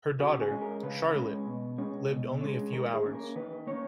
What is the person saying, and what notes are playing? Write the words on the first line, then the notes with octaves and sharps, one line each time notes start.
Her daughter, Charlotte, lived only a few hours.
C#3 F#4
G#4
G#3 C#4
A#4
C#3 B4
G#3 C#4
B2
G#3 C#4
B2
G#3 C#4
D#3 A#4
G#4
A#3 C#4
A#4
D#3 B4
A#3 C#4 C#5